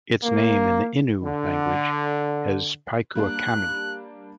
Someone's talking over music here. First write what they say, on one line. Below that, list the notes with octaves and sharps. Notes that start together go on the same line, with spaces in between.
Its name in the Innu language is Piekuakami.
A#3
D3
G3 A#3 D4 F#6